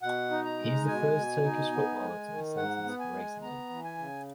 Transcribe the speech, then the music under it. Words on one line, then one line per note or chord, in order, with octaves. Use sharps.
He is the first Turkish footballer to be sentenced for racism.
B2 F#5
D#4
A#5
G#3
B2 G#5
B2
D#4
B3
G#3
D#3
G#2 F#5
B3
G#5
G#3
B3 A#5
E3
G#5
C#3